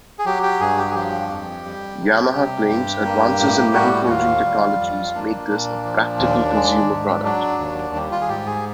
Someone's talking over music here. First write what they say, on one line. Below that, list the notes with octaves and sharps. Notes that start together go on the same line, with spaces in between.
Yamaha claims advances in metal forging technologies make this a practical consumer product.
G#4
F#3 G4
G4
G2 G#4
G4
G#4
F3 G4
F2
G3
C3
G3
G2
A#3
A2
G3 F#4
F#4
D#2 F4
G3
F2
A#3 D4
A#2 D4
F3
D#2
G#3
G#2
F#3 D4
D#2
G3
F4
G#4
G#2 G4
G#4